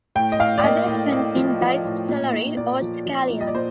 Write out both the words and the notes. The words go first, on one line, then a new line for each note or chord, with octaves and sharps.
Others contain diced celery or scallion.
A2 G5
D#5
A2 F5
D5
A#3 D#5
A2
A2
F3
F3
A2
A#2
A#2
A#2 D5
F3
F3
A#2
D#5
D5
A#2 C5